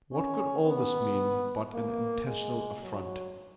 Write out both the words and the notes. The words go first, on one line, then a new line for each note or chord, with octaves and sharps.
What could all this mean but an intentional affront?
C#4
B3
A#3
G#3
F#3